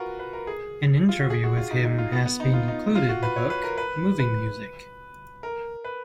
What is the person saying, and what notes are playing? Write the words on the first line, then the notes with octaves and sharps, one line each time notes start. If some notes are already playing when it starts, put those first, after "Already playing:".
An interview with him has been included in the book "Moving Music".
Already playing: F4 F#4 A#4 B4
B4
A#4
G#4
F4
F#4
G#4
F#4
F4
D#4
D#4
F4
B3
B3
D#4
F4
D#4
F4
F#4
B4
C#5
B4
A#4
B4
B4
A#4
B4